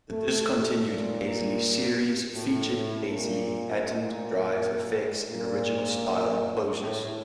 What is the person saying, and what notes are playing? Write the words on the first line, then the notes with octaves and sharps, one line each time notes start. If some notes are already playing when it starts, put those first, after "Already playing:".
The discontinued Paisley series featured paisley-patterned drive effects in original style enclosures.
A3
A#2
A2
A#2
A#2
A#2
A2